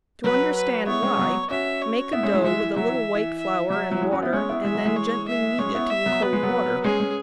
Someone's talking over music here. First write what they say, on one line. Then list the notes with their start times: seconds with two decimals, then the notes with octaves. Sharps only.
To understand why, make a dough with a little white flour and water and then gently knead it in cold water.
0.24 F#3 B4
0.55 B4
0.86 B3 E4 C#5
1.03 G#3 C#4
1.19 F#3 B3
1.50 C#4 F#4 E5
1.82 C#5
2.12 B3 E4 E5
2.23 G#3 C#4
2.34 E3 G#3
2.44 E3 G#3 E5
2.60 E3
2.76 F#3 E5
2.88 E3
3.14 E3
3.38 E5
3.70 F#3 E5
3.91 F#3
4.01 E3 G#3
4.12 C#4 F#4
4.22 B3 E4
4.33 G#3 C#4 C#5
4.49 B3 E4
4.64 E3 G#3 E5
4.75 F#3
4.85 E3 G#3
4.96 C#5
5.28 E5
5.59 G#3 C#4 C#5
5.75 B3 E4
5.90 E5
6.06 F#3 B3
6.22 B3 B4
6.33 G#3
6.43 F#3 B3
6.84 G#3 C#4 G#4
7.00 G#3 C#4